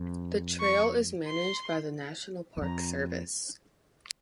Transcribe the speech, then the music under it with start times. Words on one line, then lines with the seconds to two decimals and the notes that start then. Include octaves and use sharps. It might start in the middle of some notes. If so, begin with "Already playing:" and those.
The trail is managed by the National Park Service.
Already playing: F2
0.60 C#6
1.28 C6
2.57 E2
2.62 F2 A#5